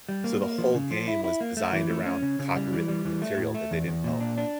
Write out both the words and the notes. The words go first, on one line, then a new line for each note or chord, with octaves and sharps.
So, the whole game was designed around copywritten material that they didn't own.
G3
A#3
A#3
F3
C#3
F3
E4
E4
A#3
A3
E3
A3
C#4
C#3
C#3
G3
E3
G3
E3
A3
A2
A3
E2
E2
A#2
D4
D4